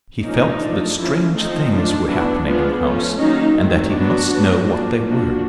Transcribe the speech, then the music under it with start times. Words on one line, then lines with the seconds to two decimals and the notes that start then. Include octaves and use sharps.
He felt that strange things were happening in the house and that he must know what they were.
0.24 F3 A#3 C#4 D#4
0.61 F3 A3 D4
0.98 F3 A#3 C#4 E4
1.34 F3 A3 C4 D#4
1.71 F3 A3 D4
2.08 F#3 B3 D4 E4
2.45 F3 G#3 B3 D4 F4
2.82 F3 A3 C#4 F4
3.18 D#3 F#3 A#3 C#4 D#4
3.55 D#3 F#3 A3 C4
3.92 F#3 B3 D4 F#4
4.29 F#3 B3 D4
4.66 F3 A#3 D4
5.03 F3 A#3 D4 F#4